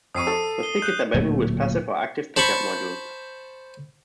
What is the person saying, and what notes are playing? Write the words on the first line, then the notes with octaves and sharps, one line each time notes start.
The Stick is available with passive or active pickup modules.
F2 C#6 D#6 C7 D#7
A4
G7
F#6 G6
D1 A#2 F#3 A3
C5 A5 B5 C#6